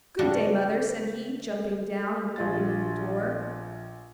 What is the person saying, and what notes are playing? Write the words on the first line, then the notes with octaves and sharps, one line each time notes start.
'Good day, mother,' said he, jumping down and opening the door.
C#3 G3 D4 F#4 G4
A#1 F4 A6